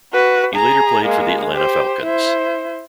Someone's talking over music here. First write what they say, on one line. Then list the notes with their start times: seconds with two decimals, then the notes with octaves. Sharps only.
He later played for the Atlanta Falcons.
0.13 F#4 B4
0.54 G#4 A#5
1.05 G#3 A#3
1.53 G4 C5
2.02 E4 C5